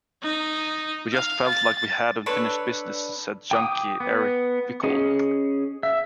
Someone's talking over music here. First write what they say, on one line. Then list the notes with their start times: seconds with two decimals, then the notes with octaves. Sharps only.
"We just felt like we had unfinished business," said Junkie Eric Bickel.
0.23 D#4
1.13 F5
1.48 A6
2.26 D4 A4 B4 C#5
3.51 G5 D6 D#6
4.00 B3
4.83 C#4 G#4 D#5
5.83 E5